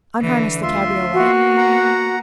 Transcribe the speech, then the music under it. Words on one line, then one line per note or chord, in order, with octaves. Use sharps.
Unharness the cabriolet.
D3 E3
D2 F4 E5 C6
A#3 B3 F#4
F#5 A#5